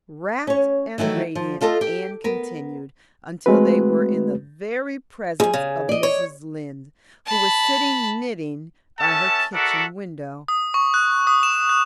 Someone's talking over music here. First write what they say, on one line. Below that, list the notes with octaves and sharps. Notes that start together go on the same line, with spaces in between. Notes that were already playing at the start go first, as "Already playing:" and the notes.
Rapt and radiant Anne continued until they were in the very presence of Mrs. Lynde, who was sitting knitting by her kitchen window.
C#4 C#5
D#3 E3 F#3 A3
F3
A3 F4 A4 D#5 A5
G4
B3 A#4
G#3 A3 C4 F#4 B4
D#2 G#2 G#4
C#3
D5 D#5
C#5
A5 B5
C#4 A4 E5 F#5 A5
F#4 A4 A#4 D5 E5 F#5
D#6
C#6
F#6
D#6
E7
F#6